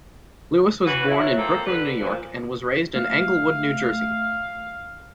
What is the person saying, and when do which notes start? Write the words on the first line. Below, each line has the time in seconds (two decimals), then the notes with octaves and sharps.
Lewis was born in Brooklyn, New York and was raised in Englewood, New Jersey.
0.85 E3 F#4 B4
1.08 F#3 E4
1.37 A#3 C4 F4 A4
1.65 D3 B4
2.00 A#2 F3
2.95 A3 F5